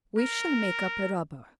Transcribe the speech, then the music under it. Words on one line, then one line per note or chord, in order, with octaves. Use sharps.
We shall make up a rubber.
A#4